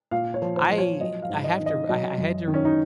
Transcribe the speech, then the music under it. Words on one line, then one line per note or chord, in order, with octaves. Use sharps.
I I have to I I had to
A#2 F5
C#5
F3
C5
F3
C#5
F#3 D#5
F5
G#2
D#5
D#3
D#5
F#3 D#5
F#2
D#3
C#4
D#4